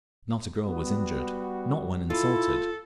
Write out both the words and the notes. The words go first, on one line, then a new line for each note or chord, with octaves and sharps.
Not a girl was injured, not one insulted.
G3 B3 F#4
E4 F4 A4